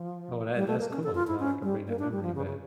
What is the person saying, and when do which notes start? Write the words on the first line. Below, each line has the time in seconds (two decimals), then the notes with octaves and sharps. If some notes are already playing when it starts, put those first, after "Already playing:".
Oh, that that's cool, glad I could bring that memory back.
Already playing: F3
0.56 G3
0.68 A3
0.80 A#3
0.91 C#4
1.03 A4
1.15 F4
1.27 E4
1.39 C#4
1.63 G3
1.88 A#3
1.99 D4
2.12 G3
2.23 F3
2.35 C#3
2.46 C#3